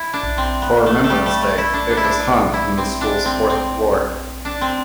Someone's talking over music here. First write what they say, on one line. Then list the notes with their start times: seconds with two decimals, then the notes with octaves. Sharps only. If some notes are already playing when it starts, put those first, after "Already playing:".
For Remembrance Day it was hung from the school's fourth floor.
Already playing: E4
0.13 D4
0.38 C4
0.62 B3
0.86 A3
1.04 A3
1.10 G3
1.26 A3
1.42 A3
1.58 E4
1.74 D4
1.90 D4
1.97 E4
2.04 D4
2.54 E4
2.78 C4
3.01 D4
3.26 C4
3.49 C4
4.45 D4
4.61 C4